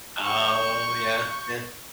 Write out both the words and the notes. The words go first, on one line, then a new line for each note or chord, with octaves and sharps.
Oh, yeah. Yeah.
C#6 G6